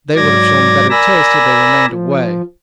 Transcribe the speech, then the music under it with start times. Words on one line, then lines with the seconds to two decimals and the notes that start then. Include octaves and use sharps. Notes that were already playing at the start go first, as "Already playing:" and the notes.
"They would have shown better taste had they remained away."
0.16 G#2 F#3 D5 D6 G#6 A#6
0.90 A#4 D5 G#5 B5 E6 A#6
1.90 F3